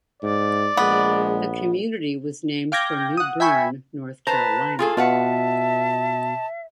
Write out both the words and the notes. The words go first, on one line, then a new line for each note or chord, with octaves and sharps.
The community was named for New Bern, North Carolina.
G#2 D5
A#1 G#3 B3
F5 G5 D6 G6 G#6 A#6
F#5 D#6
E5 G5 G#5 B5 C#6
B4 C5 A5 A#5
F4 G#4 A4 G#5
B2 F4 B4 E5 F#5 A5